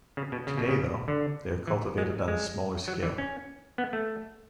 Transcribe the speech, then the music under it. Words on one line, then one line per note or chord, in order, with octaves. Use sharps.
Today, though, they are cultivated on a smaller scale.
C#3
B2
C#3
B2
C#3
D3
E3
G#3
G#3
F#3
E3
C#4
B3
A3